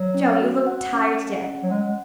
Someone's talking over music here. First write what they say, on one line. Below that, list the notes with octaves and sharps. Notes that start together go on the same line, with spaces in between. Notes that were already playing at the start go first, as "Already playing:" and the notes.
Jo, you look tired to death.
Already playing: F#3
C#4
F#4
F#5
C#4
F#5
C#4
F#3
G#3 F#5